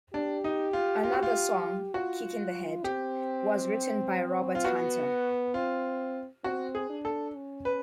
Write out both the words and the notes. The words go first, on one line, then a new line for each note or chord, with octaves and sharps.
Another song, "Kick in the Head", was written by Robert Hunter.
D4 G4
D#4
F4
F4
F#4
F4
F4 F#4
C4 G4
F4
B3 F#4
C4 F4
C4 F#4
G#4
D4
A4
C#4
B4